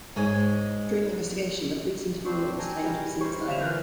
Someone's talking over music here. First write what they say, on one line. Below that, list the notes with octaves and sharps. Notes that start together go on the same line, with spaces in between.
During the investigation, the police interview a witness claiming to have seen the stabbing.
G#2 G#3 C#5 G#5
C4 D4 F#4 C5 C#6
G5 G#5 A#5
G3
G3 C5 C#5 C#6
D3 C4 F4 E5 F5 F7
E3 F4 A#4 F#6 G6